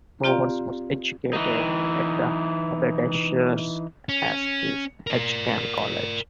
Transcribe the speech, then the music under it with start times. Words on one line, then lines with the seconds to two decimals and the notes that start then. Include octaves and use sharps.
Bowes was educated at Haberdashers' Aske's Hatcham College.
0.24 C4 F4 G4 D5 F5 A#5
1.33 E3 D#4
4.09 C#4
5.07 A#4 D5